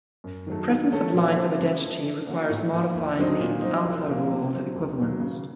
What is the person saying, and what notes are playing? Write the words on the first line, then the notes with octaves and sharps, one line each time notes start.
The presence of lines of identity requires modifying the "alpha" rules of Equivalence.
F#2
D#3 F#3 A3
D#3
A3 C#4 A4
A#2
F3 C4
C#3
A3 D#4
D#3
A#3 C#4 F#4
A2
F3 A#3
D#2
D#3 F#3 C4 D#4
A#2
F#3 C4 D#4
C2
A#2 F3 A#3
C3
F#3 C4
D#2
D#3 F#3
C#3